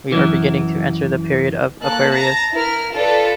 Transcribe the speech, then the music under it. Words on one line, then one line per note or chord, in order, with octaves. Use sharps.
We are beginning to enter the period of Aquarius.
F#2 E3
A#3 A4 F#6
A5 A#5 A#6
E4 A#4 F6
F4 A4 B4 D5